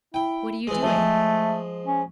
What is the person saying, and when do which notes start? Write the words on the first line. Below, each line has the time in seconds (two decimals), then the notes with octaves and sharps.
'What are you doing?'
0.14 E4 G5
0.67 E3 G#3
0.82 F3 G#3 A3
1.87 C#4